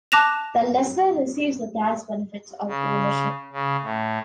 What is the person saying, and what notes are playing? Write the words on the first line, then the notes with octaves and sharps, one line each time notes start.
The lessor receives the tax benefits of ownership.
A5 D6 F#6 A#6 E7 F7
C#3
C#3
A2